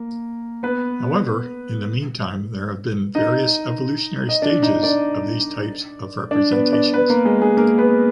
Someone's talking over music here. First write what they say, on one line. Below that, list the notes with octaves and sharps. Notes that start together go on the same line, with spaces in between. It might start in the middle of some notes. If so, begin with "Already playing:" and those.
However, in the meantime there have been various evolutionary stages of these types of representations.
Already playing: A#3
B3 B4
D#4 D#5
D#5
D4 D5
D#4 D#5
D4 D5
D4 D5
B3 B4
D4 D5
B3 B4
A#3 A#4
G#3 G#4
G#3 G#4
A#3 A#4
B3 B4